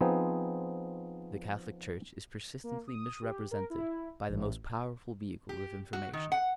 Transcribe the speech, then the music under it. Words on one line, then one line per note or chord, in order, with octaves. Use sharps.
The Catholic Church is persistently misrepresented by the most powerful vehicles of information.
F3 B3 C4 D#4 G#4
A#3
D#6
G4
A#4
E4
A1
G4
F#4
D#3
F#5